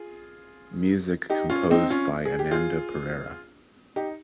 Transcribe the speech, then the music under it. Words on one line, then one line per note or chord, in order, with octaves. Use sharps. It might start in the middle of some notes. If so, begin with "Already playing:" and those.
Music composed by Ananda Perera.
Already playing: F4 G#4
D#4 G4
C#4 F4
C4 D#4
C#4 F4
G#4
G4
F4 G#4
D#4 G4